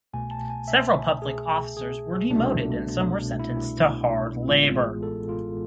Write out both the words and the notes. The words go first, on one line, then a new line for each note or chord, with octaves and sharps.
Several public officers were demoted and some were sentenced to hard labour.
C2 B2 A3 G#5
A5
G#5
E5
G#4
G#4
C2 B2 A3 D4
E4
A1 A2 E3 G#3 B3 F4
G#4
A4
F4